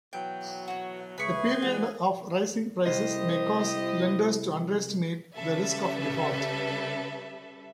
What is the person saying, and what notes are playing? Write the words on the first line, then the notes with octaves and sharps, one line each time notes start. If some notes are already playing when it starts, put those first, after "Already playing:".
A period of rising prices may cause lenders to underestimate the risk of default.
B2 E3 F#3 G5
F#4 C#5
C#2 G#4 B4 E5 B5 C#6
E2 G3 G#3 F#4
C2 E4 G4 C5 D#5
C#3 G3 A4 B4 E5